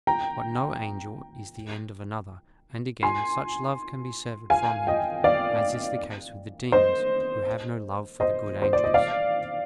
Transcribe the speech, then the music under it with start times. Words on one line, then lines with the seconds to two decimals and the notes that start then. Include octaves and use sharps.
But no angel is the end of another; and again, such love can be severed from him, as is the case with the demons, who have no love for the good angels.
0.07 G5 A#5
3.03 G#5 C6
4.50 F5 G#5
4.87 D#5 G5
5.24 D5 F5
6.72 C5 D#5
8.20 C5 D#5
8.62 C5
8.73 D5
8.84 D#5
8.94 D5 F5